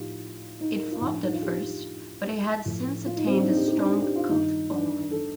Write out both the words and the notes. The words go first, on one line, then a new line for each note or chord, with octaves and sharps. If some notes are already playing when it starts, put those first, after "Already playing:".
It flopped at first, but it has since attained a strong cult following.
Already playing: A2 F3 D#4 F4 G4
D#4
A#4
F4
A2 F3 D#4
D4
D#4
F4
G4
A2 F3
F4
D#4
C4
D4
D#4
G4
G4
D#4
D4
G4
F4
G2 D#3 D#4
D4
A4